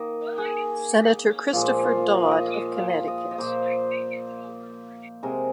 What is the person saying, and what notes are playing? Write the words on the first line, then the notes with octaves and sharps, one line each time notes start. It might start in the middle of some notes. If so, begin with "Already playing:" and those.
Senator Christopher Dodd of Connecticut.
Already playing: D#3 A#3 D#5
G#4
A#2 F3 G#3 F4
F4
D#5
F5
D#5
F5
F5
D#5
D#5
A#2 A#3 C5
C3 G#3 A#4